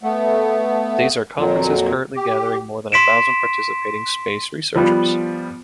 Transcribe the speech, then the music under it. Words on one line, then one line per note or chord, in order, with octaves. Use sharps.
These are conferences currently gathering more than a thousand participating space researchers.
A3 B3
F2 A#2 F#3
G4
C6 B6 D7 E7
F3 G3 B3